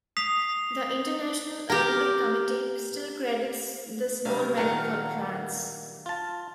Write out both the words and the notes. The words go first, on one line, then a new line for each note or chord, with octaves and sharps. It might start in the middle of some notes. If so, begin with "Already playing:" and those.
The International Olympic Committee still credits this gold medal for France.
D#6 B6 C7 F7
G4 A#4
C3 F#3 G3 D4 F5
A#2 D#3 A#4 F5 F#5 A#5
F4 A5